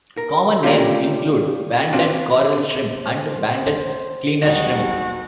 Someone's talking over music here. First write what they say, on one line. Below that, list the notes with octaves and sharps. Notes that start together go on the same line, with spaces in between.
Common names include banded coral shrimp and banded cleaner shrimp.
A#4
A3 A#3 C#4 D4 F4 G4
C4 D4 F4 F#4 D5
C5
D#2 G#2 F#3 G3 D#4 F#4